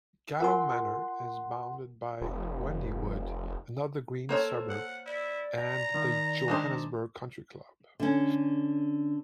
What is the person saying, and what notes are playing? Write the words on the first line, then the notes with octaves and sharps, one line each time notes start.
Gallo Manor is bounded by Wendywood, another green suburb, and the Johannesburg Country Club.
F4 A#4 F#5 G#5 C6
F1
A#3 A4 C5 C#5
F#5
E4 D5
A#5
D#3
G#3 D4 C5
D3 C#4